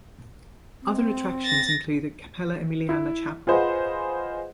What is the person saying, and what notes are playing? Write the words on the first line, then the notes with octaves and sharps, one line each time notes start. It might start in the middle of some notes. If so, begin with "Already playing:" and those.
Other attractions include the Cappella Emiliana chapel.
C4
A6 A#6
E4
F4 G#4 B4 C5 D#5 F#5